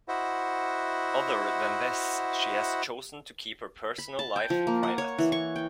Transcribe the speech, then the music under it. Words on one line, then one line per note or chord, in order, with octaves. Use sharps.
Other than this she has chosen to keep her personal life private.
E4 F#4 C5 D#5 E5 F#5
B5
A5
G5
F3
A#3
F#5
C#5
E3
C#6
G5